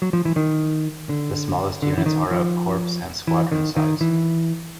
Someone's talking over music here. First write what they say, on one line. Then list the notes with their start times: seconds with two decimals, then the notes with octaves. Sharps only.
The smallest units are of corps and squadron size.
0.02 F#3
0.13 F3
0.25 E3
0.36 D#3
1.09 D3
1.82 D3
1.98 E3
2.06 D#3
2.31 F3
3.27 E3
3.52 D#3
3.76 D#3
4.01 E3